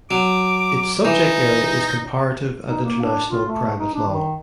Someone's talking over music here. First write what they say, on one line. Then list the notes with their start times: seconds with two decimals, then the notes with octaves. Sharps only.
Its subject area is comparative and international private law.
0.11 F#3 D6
1.05 E3 D#4
2.68 D#4
2.84 A#3
3.01 D4
3.29 F4
3.48 A3
3.79 D#4
3.95 D4
4.08 D#3